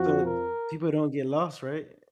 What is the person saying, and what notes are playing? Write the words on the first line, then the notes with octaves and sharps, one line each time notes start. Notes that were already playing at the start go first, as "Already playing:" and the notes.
So, people don't get lost, right?
Already playing: F2 F3 F#4
A#4